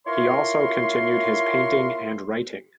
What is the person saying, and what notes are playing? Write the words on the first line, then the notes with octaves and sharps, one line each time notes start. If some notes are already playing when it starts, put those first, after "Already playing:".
He also continued his painting and writing.
E4 F4 A#4 C#5 C6